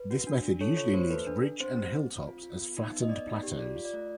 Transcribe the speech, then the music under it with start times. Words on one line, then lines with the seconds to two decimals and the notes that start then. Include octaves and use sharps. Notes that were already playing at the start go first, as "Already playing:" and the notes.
This method usually leaves ridge and hill tops as flattened plateaus.
Already playing: B4
0.11 F#4
0.27 D4
0.44 D4
0.61 A4 C#5
0.77 F4 C#5
0.94 A#3 C5
1.10 A4 B4
1.27 D4
1.44 D4
1.60 C4 C5
1.77 C4
1.94 C4
2.11 C4
2.27 F4
2.43 F4
2.61 B3
2.77 D#4
2.93 B3
3.02 D#5
3.09 B3 D5
3.27 D#4
3.43 G4
3.59 F4 D5
3.76 F4
3.85 D5
3.93 A3